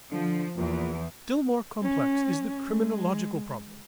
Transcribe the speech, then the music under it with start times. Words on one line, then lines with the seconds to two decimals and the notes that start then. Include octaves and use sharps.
Still more complex is the criminological problem.
0.12 D3 F3
0.57 E2 A#2
1.82 C#4
2.68 G#3